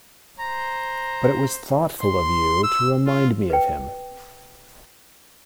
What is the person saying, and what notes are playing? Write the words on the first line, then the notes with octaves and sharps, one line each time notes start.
But it was thoughtful of you to remind me of him.
C5 A#5
C6
E6
F4
B4 G5